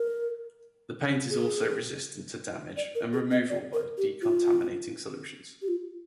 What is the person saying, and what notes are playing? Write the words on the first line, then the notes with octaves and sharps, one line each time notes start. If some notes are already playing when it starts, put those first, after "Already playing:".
The paint is also resistant to damage and removal by decontaminating solutions.
Already playing: A#4
G#4
D5
A#4
G#4
D#5
D5
A#4
G4
F4
G4
F4